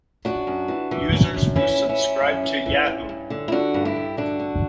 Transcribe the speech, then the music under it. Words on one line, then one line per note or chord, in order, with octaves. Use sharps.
Users who subscribed to Yahoo!
F#2 D4 F#4
F#2
E3
E3
F#2
F#2
E3 C#4 E4
E3
C#4 E4
F#2
F#2
E3
E3
G2
G2
D3
E4
D3 D4 F#4
G2
E4 G4
G2
D3 D4 F#4
D3